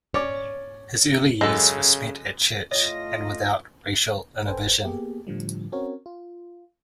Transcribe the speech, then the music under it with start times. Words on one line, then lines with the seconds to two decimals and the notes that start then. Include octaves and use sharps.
His early years were spent at church and without racial inhibition.
0.14 C#4 C#5 D5 D6
1.41 F#2 C#3 G#3 A4
2.71 A2 A3 F4 C#5 D#5 A#6
4.47 G1 A4 B4 C5 G5 G#5
4.84 A#3 B3 G4 G#4
5.27 A2 D3 F3 G3
5.72 C4 C#4 F#4 A#4 C#5
6.06 F4